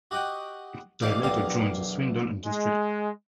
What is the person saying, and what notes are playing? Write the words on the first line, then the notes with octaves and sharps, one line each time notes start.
They later joined the Swindon and District League.
F#4 G4 D#5 F#5 G5
E3 D#4 G4 D5 F5 D6
B1 E2 D3 G4 A#4 F5
G#3